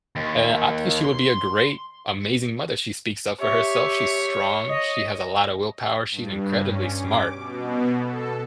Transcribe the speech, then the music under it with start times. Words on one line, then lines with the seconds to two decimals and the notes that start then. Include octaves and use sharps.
Eh, I think she would be a great, amazing mother; she speaks up for herself, she's strong, she has a lotta willpower, she's incredibly smart.
0.16 D#2
1.04 C6
3.41 G4 C#5 E5
4.69 D#5
6.11 G2
6.59 C#4
6.99 D6
7.32 B2
7.99 A4